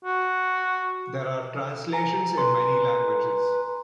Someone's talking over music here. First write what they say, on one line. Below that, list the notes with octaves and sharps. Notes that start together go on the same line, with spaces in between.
There are translations in many languages.
F#4
G#5 A#5
B4 C6